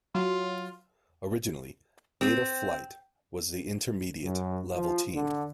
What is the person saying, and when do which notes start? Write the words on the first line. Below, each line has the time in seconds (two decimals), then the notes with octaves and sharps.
Originally, Beta Flight was the intermediate level team.
0.15 F#3 F4
2.21 C4
4.23 F#2
4.75 F3
5.14 D3